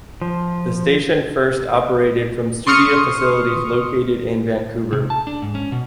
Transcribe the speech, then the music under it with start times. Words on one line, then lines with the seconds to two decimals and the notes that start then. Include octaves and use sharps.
The station first operated from studio facilities located in Vancouver.
0.22 F3
2.67 C6 C#6 D#6 F6 C#7
4.93 C3
5.10 A5
5.27 D4
5.42 G#2
5.55 C#4
5.72 B2